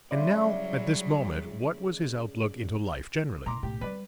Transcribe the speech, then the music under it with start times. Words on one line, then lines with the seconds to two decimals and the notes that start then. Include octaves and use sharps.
And now, at this moment, what was his outlook into life generally?
0.11 C#3 F#3 G3 E4 D5 C6
3.46 A#2 A#5 C6 D6
3.63 B1 A2 G4
3.81 G3 B4 D5